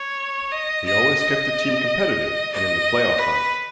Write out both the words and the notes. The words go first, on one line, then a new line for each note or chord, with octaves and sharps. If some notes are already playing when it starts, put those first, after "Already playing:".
He always kept the team competitive and in the playoff hunt.
Already playing: C#5
D#5
D#5
D#5
D#5
B4